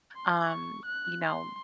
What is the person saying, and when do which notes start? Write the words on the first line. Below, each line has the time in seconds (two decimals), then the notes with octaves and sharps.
um, you know,
0.16 C6
0.45 C#6
0.85 F#6
1.23 C6